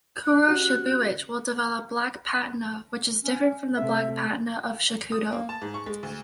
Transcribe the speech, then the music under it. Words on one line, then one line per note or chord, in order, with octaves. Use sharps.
Kuro-Shibuich will develop black patina which is different from the black patina of Shakudo.
F#6
C#4 F#4 G4
C#4
C3 A3 E5
D#6
A#3
A5
G#2
C#6
G#3
D2